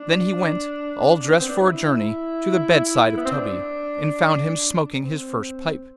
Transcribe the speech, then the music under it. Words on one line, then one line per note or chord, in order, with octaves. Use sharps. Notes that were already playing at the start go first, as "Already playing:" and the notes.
Then he went, all dressed for a journey, to the bedside of Tubby, and found him smoking his first pipe.
Already playing: D4
B3
C4
D4
E4
B3
C4
D4
C4